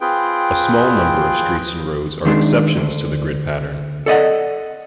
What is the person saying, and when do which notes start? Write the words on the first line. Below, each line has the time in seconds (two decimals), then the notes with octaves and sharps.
A small number of streets and roads are exceptions to the grid pattern.
0.01 C4 F4 G#4 B4 G5
2.25 D#3 G#3 D4
2.77 D2
4.06 A4 D5 D#5 F#5